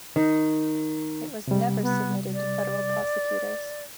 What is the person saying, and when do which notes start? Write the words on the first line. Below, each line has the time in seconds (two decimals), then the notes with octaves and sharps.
It was never submitted to federal prosecutors.
0.16 D#3
1.48 C3 G3
1.82 B3
2.34 D5